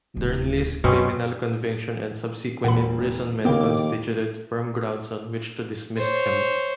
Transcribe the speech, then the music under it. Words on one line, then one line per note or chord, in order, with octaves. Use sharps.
Dernley's criminal conviction and subsequent imprisonment constituted firm grounds on which to dismiss him.
D1
F#2 B2 C4 C#4
E1 A#2 F#5 B5
D#2 C#3 A#3 B3 G5 D6
C5 C#5